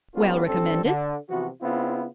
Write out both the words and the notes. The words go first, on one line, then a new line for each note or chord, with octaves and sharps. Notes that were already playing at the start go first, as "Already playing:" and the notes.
"Well recommended?"
G3 B3 C#4 D#4 F4 A4
A1 G2 C4 D4 A4
D3
C3 E3 F3 B3 F#4
C#3 B3 C4 D4 E4 F4